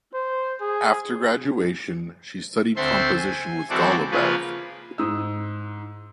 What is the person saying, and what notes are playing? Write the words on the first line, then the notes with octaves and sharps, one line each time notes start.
After graduation, she studied composition with Golubev.
C5
G#4
D2 C4 A4 C5 E5 C6
G#5
E3 G#3 C4 F#4 A4 D5
C#3 F3 A#3 F4 G#4 B4
G#2 D#6 E6